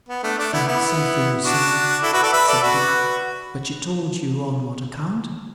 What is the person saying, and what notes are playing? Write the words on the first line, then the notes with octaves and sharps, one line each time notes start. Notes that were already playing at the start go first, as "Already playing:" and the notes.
'I have sent for you, Sir,' said Dick--'but she told you on what account?'
B3
A3 D4
A3 D4
B3 E4
B3 E4
D4 F#4
E4 A4
F#4 B4
A4 D5
B4 E5
A4 D5
F#4 B4